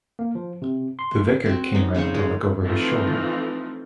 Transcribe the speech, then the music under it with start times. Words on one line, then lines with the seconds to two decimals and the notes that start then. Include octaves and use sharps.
The vicar came round to look over his shoulder.
0.19 A#3
0.35 F3
0.62 C3
0.99 C6
1.46 C4 F#4
1.75 C#4 D#4
1.95 C#3 D#4 C5 C#6
2.15 G#3
2.63 E3 F3 A3 C4 D#4 F4